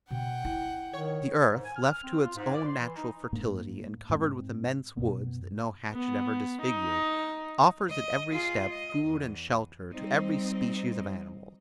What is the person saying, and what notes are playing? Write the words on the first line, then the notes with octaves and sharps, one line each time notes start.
The earth left to its own natural fertility and covered with immense woods, that no hatchet ever disfigured, offers at every step food and shelter to every species of animals.
B2 F#5 G5
E4
D#3 C#5
G#2
G#5
F6
F6
C4
F4
G#2
D5
C6
E3
D#4
G#2 A#3 D4
G#2 G#3 B3 C4
F#2 B2 B3
B3
D#4
D#5
F4 G#4
D#5
E2
G3 C4 D#4